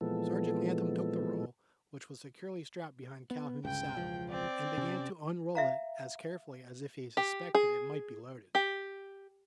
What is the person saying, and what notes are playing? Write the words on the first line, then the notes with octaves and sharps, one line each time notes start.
Sergeant Latham took the roll, which was securely strapped behind Calhoun's saddle, and began to unroll it as carefully as if he suspected it might be loaded.
A#2 E3 F3 G#3 B3 A4
B3
G1 C#2 C#3 G5
E1 C#2 F3
C4 D5
C3 C#4
E5 F5 A#5
G4
G#4
G4